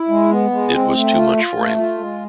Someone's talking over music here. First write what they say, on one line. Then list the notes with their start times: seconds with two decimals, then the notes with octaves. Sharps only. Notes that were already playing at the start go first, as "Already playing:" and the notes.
It was too much for him.
Already playing: E4
0.08 G#3
0.31 B3
0.50 G#3
0.71 C4
0.93 A3
1.14 F4
1.36 F4
1.56 A3
1.77 F4
1.98 G#3